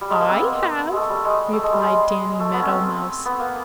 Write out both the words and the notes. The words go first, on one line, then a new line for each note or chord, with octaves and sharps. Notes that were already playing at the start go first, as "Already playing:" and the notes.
"I have," replied Danny Meadow Mouse.
G3
G#3
A#3
C4
B3
G#3 A3
G3
G#3
A3
G#3
G3
G#3
A3
B3
C#4
C4
B3
A#3